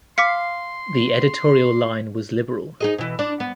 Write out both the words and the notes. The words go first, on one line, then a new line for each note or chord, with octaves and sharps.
The editorial line was liberal.
F5 C6 D6 B6 C#7
D#4 G#4 D#5
B2 E3
D4
B3